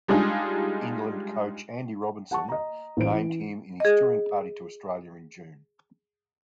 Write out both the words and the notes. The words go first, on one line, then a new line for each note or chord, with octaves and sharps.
England coach Andy Robinson named him in his touring party to Australia in June.
G3 G#3 D4 D#4 F4 G#4
F#5 A5 C#6
D#5 A#5
A1 E4 C5 D7
E3
G#4 D#5